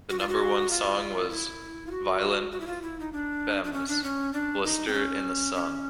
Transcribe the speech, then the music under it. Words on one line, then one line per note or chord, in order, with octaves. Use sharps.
The number one song was Violent Femmes' "Blister in the Sun".
F#4
F4
F#4
F4
E4
F4
F#4
F#4
E4
F4
E4
D#4
D4
D4
C#4
D4
C#4
D4
D#4
C4
C#4
C#4